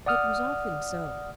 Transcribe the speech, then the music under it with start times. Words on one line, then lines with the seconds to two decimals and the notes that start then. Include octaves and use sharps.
It was often so.
0.06 D5 F#5 D#6 F6